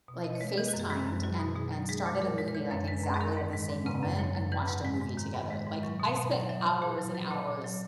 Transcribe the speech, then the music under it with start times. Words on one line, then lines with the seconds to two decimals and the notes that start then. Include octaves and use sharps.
like, FaceTimed and and started a movie, like, exactly at the same moment, and watched a movie together. Like, I spent hours and hours
0.08 B2
0.24 B2 D#5
0.35 C#5
0.41 G#3
0.47 B4
0.57 E3 D#5
0.68 F#4
0.74 F#2
0.80 G#4
0.90 G#3 G#4
1.07 F#2
1.23 F#3 F#4
1.40 B2
1.56 B2 G#4
1.72 F#3
1.89 G#3 G#4
2.06 A#2
2.21 A#2 A#4
2.38 G#3 A#4
2.48 B4
2.55 E3 C#5
2.71 F#2 C#5
2.87 G#3 B4
3.04 F#2
3.14 G#4
3.21 D#3 A#4
3.37 G#2
3.53 G#3
3.70 G#2
3.86 C#3 B4
4.03 F#2
4.19 F#3 C#5
4.35 F#2
4.52 E3 B4
4.68 G#2 F#5
4.85 G#3 G#5
5.01 G#2
5.17 D#3 A#5
5.34 G#2 B5
5.50 G#3
5.67 G#2
5.83 F#3 C#6
6.00 B2
6.16 B2 B5
6.27 A#5
6.32 F#3
6.38 F#5
6.49 F#3 E5
6.65 A#2
6.82 A#2 G#4
6.98 F#3
7.15 F#3 B4
7.31 A#2 D#5
7.48 A#2
7.64 F#3